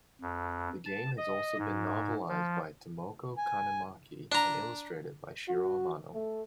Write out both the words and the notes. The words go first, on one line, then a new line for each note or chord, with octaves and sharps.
The game has also been novelized by Tomoco Kanemaki and illustrated by Shiro Amano.
F2
A5
D#5
G#2
F3
G#5
D4 A#5
F#4
A3